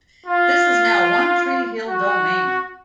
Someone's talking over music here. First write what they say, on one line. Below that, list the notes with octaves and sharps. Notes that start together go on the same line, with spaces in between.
This is now One Tree Hill Domain.
F4
F#4